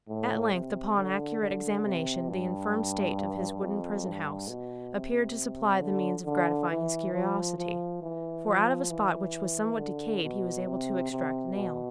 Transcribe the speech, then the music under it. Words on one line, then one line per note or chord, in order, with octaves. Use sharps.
At length, upon accurate examination, the infirm state of his wooden prison-house appeared to supply the means of gratifying his curiosity, for out of a spot which was somewhat decayed he was able to extract a nail.
A2
C3
D3
D3
C3
G2
F2
G2
B2
C3
D3
D3
E3
F3
F3
E3
F3
E3
D3
B2
C3
C3
B2